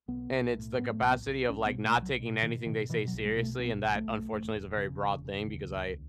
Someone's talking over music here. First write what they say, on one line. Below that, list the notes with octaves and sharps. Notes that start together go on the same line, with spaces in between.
And it's the capacity of, like, not taking anything they say seriously, and that unfortunately is a very broad thing because I
B1 B3
B1
A2
A2 B3
A3
B1 B3
B1
B1 C#4
B3
B2
A3
B1
F#3
B2
B2 D#3
B2 D#3
B2 E3
F#3
B1
G#3
B2
A3
B1 B3
B1
A3
B1
E1
E1
C#3
E1
C#3
D#2
C#2